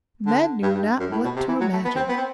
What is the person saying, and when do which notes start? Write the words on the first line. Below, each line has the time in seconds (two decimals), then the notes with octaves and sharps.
Men knew not what to imagine.
0.26 D3
0.63 G2
0.75 G2
1.00 F#2
1.12 A2
1.24 B2
1.36 C3
1.48 E3
1.60 F#3
1.73 A3
1.85 B3
1.96 C4
2.09 B3
2.17 C4